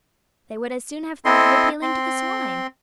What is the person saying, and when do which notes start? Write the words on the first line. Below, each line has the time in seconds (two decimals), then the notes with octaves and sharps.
They would as soon have thought of appealing to the swine.
1.25 C4 E4 A4 D#5 C6
1.82 C4 C6